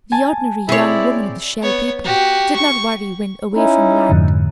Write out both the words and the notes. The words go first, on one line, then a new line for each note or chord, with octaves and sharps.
The ordinary young woman of the Shell People did not worry when away from land.
G#5 A5
C4 E4 G#4 C#5 D5
B3 C#5
F#4 G4
C#6
C#4 D#4 E4
F2 G#2 D3